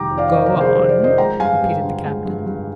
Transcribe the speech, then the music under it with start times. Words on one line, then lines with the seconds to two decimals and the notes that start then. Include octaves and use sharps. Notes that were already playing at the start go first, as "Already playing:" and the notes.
"Go on?" repeated the captain.
Already playing: F1 D#3 G3 G5 A#5 D6
0.11 F2
0.18 D5 F5
0.28 D5
0.32 D#3 C5 D#5
0.46 A#4 D5
0.53 F1
0.60 G#4 C5
0.76 G3 G#4 C5
0.89 A#4 D5
0.96 F2
1.04 C5 D#5
1.18 G#3 G5 A#5
1.39 G2 F5 G#5
1.61 G2
1.82 D3
2.04 G#3
2.25 G2
2.46 G2